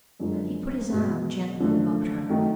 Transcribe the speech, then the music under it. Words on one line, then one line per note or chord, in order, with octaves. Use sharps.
He put his arm gently about her.
F#2 D3 F3 G#3
B2 G#3 B3
F#2 D3 F3 A3
D#3 F#3 A3